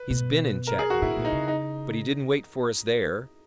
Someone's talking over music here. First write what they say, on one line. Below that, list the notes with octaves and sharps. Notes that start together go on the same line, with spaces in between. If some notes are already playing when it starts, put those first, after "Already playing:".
He's been in Chattanooga, but he didn't wait for us there.
Already playing: B4
B2
A#4
G#4
F#4
A#2 E4
A#2
D#4
C#3
D#4